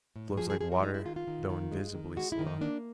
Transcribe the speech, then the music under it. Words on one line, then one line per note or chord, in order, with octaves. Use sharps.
"It flows like water, though invisibly slow."
A2
F3 G#4
G#4
F3 G#4
F#4
G#3 D#4
E4
D#3 F4
F4
D#3
D#3
G#3
D#3
G#3 F#4
E4
D#3
D#4
A#3 D4